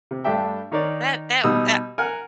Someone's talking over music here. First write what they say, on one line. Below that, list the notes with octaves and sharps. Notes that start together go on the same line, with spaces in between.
That that that
C3
G2 A3 D4 G4 E5 G5
D#3 D#4 A#4 C#5 D5
B2 G3 D#4 D#5 D#6 E6
A#4 F#5 G#5 F6